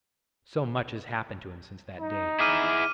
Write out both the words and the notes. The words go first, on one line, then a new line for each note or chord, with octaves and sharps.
So much has happened to him since that day.
D#4
E4 G#4 D6 F6 D#7